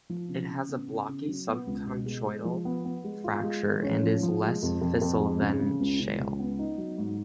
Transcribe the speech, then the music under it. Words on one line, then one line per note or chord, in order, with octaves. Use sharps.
It has a blocky subconchoidal fracture, and is less fissile than shale.
F3
C#3
C#3
B3
C#3
C#3
F#3
B3
C#2
B2
G#3
G#3
F3
B3
B3
G#3
F4
G#3
G#3
C#4
F3
F3
G#3
F2
F2
F2
G#3
C#3
C#3
C#2
C#3
C#2
B3
D#4
F#3
G#2